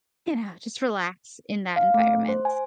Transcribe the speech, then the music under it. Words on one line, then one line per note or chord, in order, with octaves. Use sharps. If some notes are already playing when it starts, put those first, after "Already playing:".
you know, just relax in that environment.
F5
A3
C5
G#5